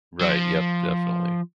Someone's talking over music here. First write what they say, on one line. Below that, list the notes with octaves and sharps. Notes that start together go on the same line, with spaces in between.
Right, yep, definitely.
F#3
F3